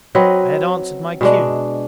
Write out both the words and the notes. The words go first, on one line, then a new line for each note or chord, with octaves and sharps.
I had answered my cue.
F#3 C4 B4 D#5
B2 G#3 D4